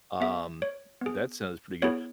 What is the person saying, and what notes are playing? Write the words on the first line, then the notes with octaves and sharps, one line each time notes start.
um, but that sounds pretty good.
B3 G#4 E5
C#5
B3 G#4
B3 E4 G#4 C#5